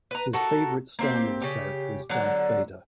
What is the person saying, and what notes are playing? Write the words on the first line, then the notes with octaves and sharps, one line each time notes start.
His favorite Star Wars character is Darth Vader.
B4 A#5
F#4 A4 A#4
A#3 C4 G4
C#3 G4
D3 F#3